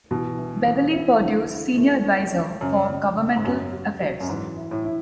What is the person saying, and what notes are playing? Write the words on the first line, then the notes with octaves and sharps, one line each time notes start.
Beverly Perdue's senior adviser for governmental affairs.
B2 E3
E3
E3
E4
D3
E4
A3
C#4
C#4
F#2 C#3
C#3
C#3
G#2
F#2 F#3
F#4
F#3
F#2
G#2 E3
E4
A2
E4